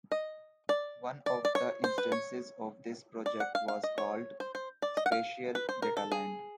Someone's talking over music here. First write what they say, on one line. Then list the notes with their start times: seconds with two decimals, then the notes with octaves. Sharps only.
One of the instances of this project was called Spatial Dataland.
0.12 D#5
0.69 D5
1.26 D5
1.45 D5
1.55 C#5
1.84 C5
1.98 B4
2.12 C#5
3.26 D5
3.40 F#5
3.55 F5
3.68 F5
3.83 D#5
3.98 C#5
4.40 C5
4.55 C5
4.82 D5
4.97 D#5
5.06 F#5
5.12 F5
5.55 B4
5.69 C5
5.82 A#4
5.97 A4
6.12 G#4